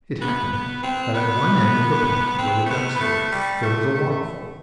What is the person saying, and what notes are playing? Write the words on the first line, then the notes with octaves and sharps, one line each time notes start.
It happened that at one end of the pond where the ducks lived there was a waterfall.
B3
B3
C4
B3
C4
A3
B3
B3
A3
G3
A3
A3